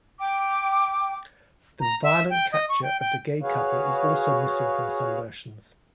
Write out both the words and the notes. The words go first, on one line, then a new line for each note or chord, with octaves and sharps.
The violent capture of the gay couple is also missing from some versions.
G5 D6
A#5
E5
G5
D#5
C#6
G5
G5
F#4 G#4 B4 C#5 F5